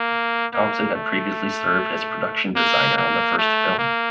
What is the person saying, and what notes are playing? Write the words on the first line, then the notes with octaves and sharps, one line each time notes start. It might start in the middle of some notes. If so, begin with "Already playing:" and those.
Thompson had previously served as production designer on the first film.
Already playing: A#3
A#3
A3
A#3
A#3
A3
A#3